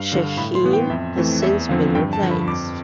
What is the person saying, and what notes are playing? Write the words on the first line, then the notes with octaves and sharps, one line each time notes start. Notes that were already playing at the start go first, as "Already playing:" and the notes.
Sheheen has since been replaced.
Already playing: G2 F5
D3 G3
A2 B5
C6
E3 B3
G5
F2 E5
E3 A3 C4
E2 E5
D3 F3 C4 F5
G2 G5
A5
D3 F3
B5
F2 D6